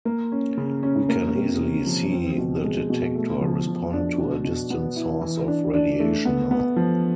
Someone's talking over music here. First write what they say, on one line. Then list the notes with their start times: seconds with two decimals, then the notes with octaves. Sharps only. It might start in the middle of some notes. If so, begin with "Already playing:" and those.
We can easily see the detector respond to a distant source of radiation now.
0.05 A#3
0.32 C#4
0.57 C#3
0.83 C#4
1.09 A#3
1.35 C3
1.61 C3
1.87 F3
2.12 C4
2.38 B2
2.64 G#3
2.90 B2
3.15 A3
3.41 F3
3.67 F3
3.93 D4
4.18 B2
4.45 B2
4.70 B3
4.96 E4
5.21 E3
5.48 D4
5.74 D4
6.00 A3
6.25 B3
6.51 B3
6.76 F3